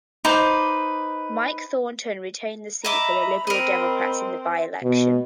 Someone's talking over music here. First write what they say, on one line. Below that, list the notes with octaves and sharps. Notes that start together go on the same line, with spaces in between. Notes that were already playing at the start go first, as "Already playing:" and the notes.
Mike Thornton retained the seat for the Liberal Democrats in the by-election.
D#4 B4 C5 D6
D#5 E5 A#5 B5 D6
C4 A#4 D#5
B2